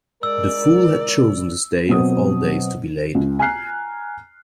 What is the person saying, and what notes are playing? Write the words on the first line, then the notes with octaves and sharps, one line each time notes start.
The fool had chosen this day of all days to be late.
G#3 A#4 D5 E6
B2 F#3 C4 D#6
C#2
G#5 A#5 F6 F#6 C7